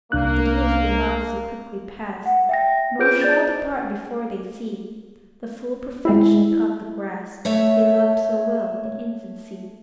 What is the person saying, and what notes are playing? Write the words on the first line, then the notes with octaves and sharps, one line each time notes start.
"The dews will not so quickly pass, Nor shall depart before they see The full perfection of the grass, They loved so well in infancy."
C2 A#3 D4 F#6
F#5
E5 G5 A#6
F4 G#4 B4 C5 G6 D7
D5 G6 A6
G#3 E4
A3 C#5 E5